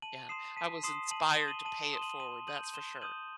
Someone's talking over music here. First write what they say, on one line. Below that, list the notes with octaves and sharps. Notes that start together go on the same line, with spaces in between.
Yeah, I was inspired to pay it forward, that's for sure.
A5 D#7 F#7
C6 D#6 C7 E7
A5 B6 D#7
C6 D#6 C7 E7
A5 D#7 F#7
E7 G7
C6 D#6
D#7 F#7
A5 D#7 F#7
E7 G7
C6 D#6
D#7 F#7
C6 D#7 F#7
D#6 G6 D#7 F#7
C6 E7 G7
D#6 G6 D#7 F#7